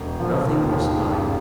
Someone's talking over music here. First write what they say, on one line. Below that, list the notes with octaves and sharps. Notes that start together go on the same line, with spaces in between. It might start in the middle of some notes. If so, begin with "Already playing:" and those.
Nothing was alive.
Already playing: E1
F3
D#2
C#3